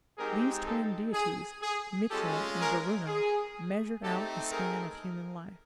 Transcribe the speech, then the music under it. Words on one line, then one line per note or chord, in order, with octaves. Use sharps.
These twin deities, Mitra and Varuna, measured out the span of human life.
G#3 C4 D#4 G4 G#4 A#4
G4 A4
G#4
G#4
G#3 C#4 F4 G4 A4
G#4 A#4
G#4
A3 C4 D#4 G4 A4
G#4 A#4